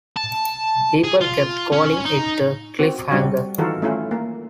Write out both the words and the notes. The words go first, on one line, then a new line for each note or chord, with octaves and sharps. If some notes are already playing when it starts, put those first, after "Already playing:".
People kept calling it a cliffhanger.
A5
G#4
F4
C#4
D#4
C4 F#4
G3 C4 D4 F#4
D#3 E3 F4 F#4 A4 A#4
A3 C#4 E4 F4
A#3